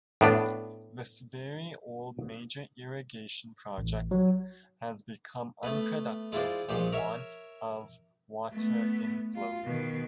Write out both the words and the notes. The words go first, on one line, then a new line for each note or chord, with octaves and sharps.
This very old major irrigation project has become unproductive for want of water inflows.
A2 B3 D4
A1
F#3
A3 B3 B4
G#3 E4 F4 C5 D5
A#1 A#2 G#3 G4 C5
A#4 C#5 E5
A3 B3
F4
B2 D#3